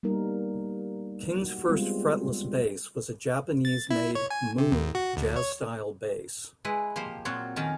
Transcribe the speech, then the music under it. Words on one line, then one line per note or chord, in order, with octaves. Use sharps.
King's first fretless bass was a Japanese-made "Moon" Jazz-style bass.
G3 A#3 B3 D#4 A#4
F#4
G3 G#3 B3 C4 F4
A6
E4
C#5
G#5
C3
D#2
F#4
D2
C#5
G#3 E4 B4
F3 A#3 G4 C5
A#2 F#3 C4 F4 F#4 C#5
F2 D#3 C#4 A#4 A5